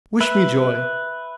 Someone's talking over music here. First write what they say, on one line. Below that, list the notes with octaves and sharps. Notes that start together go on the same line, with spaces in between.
Wish me joy.
B4 E5